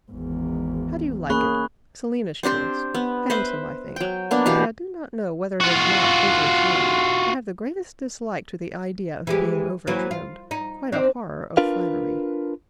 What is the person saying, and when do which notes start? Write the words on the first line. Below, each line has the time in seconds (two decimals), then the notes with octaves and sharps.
How do you like it?--Selina's choice--handsome, I think, but I do not know whether it is not over-trimmed; I have the greatest dislike to the idea of being over-trimmed--quite a horror of finery.
0.11 G#1 E2
1.30 A#3 C#4 G#4 B5 C#6 F#6
2.43 C4 D4 G4 C5
2.94 B3
3.30 B4 C5 E5 C6
3.96 F#3 G5
4.31 A#3 B3 D4
4.46 B2 E3 G4 F5
5.61 F4 F#4
9.27 E3 G#3 G4
9.87 E3 F#3 A#3
10.11 F4
10.51 D#4
10.92 C4 D4 D#4
11.57 D4 F4 A#4 B4 F5